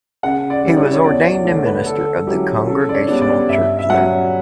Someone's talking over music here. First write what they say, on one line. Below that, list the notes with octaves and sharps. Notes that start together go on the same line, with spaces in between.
He was ordained a minister of the Congregational Church there.
C#3 F#5
D5
G3 C#4 E4
C#5
C#5
E2 D5
C#5
D3 A3 D4
B4
D3 A4
F#3 C#4 E4 G4
C#3 A4
D5
C#5
G3 B3 D4
D5
G2 E5
E5
F#3 C#4 F#5